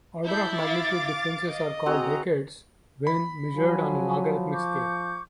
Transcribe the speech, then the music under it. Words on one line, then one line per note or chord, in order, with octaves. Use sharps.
Order-of-magnitude differences are called decades when measured on a logarithmic scale.
E4 A5 G6
F5 C#6 D6 A6
D#5
C4 F#4 G#4 A#5
B5
F3 F#3 G#5
C#6 D6 G6